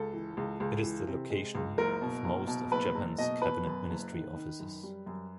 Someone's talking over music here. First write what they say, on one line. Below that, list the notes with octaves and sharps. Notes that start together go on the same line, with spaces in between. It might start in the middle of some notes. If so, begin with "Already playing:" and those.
It is the location of most of Japan's cabinet ministry offices.
Already playing: C#2 A4
E3
C#2
C#2
E3
C3
G#3
C#2
F#1 A#4
B2
F#1
B2
F#1 B4
F#1
B2 D#5
B2 B4
F#2
F#1
D#3
D#3
F#2
G3
F#2